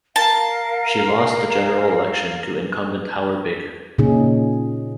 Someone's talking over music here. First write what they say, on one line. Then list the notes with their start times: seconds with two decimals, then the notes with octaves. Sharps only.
She lost the general election to incumbent Howard Baker.
0.16 A#4 F5 A5
3.98 A#2 C#3 C#4 D#4 G#4